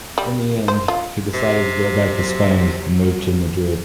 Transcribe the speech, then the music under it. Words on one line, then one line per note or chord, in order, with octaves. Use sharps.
In the end he decided to go back to Spain and moved to Madrid.
G3
C5
F4
C3
F#3